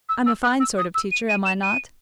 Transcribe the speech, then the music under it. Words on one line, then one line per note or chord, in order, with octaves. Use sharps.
I'm a fine sort of teacher, am I not?
E6
E6
F#6
E6
D#6
E6
D#7
D#7
E7
D#7